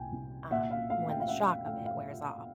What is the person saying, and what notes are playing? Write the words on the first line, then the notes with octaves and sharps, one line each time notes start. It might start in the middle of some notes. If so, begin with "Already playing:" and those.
um, when the shock of it wears off
Already playing: C2 A#2 G5 G#5
C2
A#2 E5 F#5
F5
A3 F5
F5 G5
F5
C#4 E5 F#5
F5
A3 F5
F5